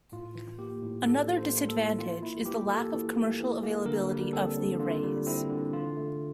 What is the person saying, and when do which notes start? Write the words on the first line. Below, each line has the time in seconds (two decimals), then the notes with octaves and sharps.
Another disadvantage is the lack of commercial availability of the arrays.
0.12 A2 F4
0.35 E3
0.58 A#3 G4
0.82 A2
1.06 A2 A4
1.29 E3
1.37 C5
1.53 A#3
1.69 A4
1.76 A2
1.99 E3 F4
2.22 A#3 E4
2.46 E3 G4
2.69 A#3 A4
2.93 E3
3.16 A#3
3.40 E3
3.63 A#3
3.86 D3 A#4
4.09 G3
4.33 C4 A4
4.56 D3
4.80 D3 F4
5.03 G3
5.27 C4 E4
5.49 D3
5.73 E3 F4
5.97 A3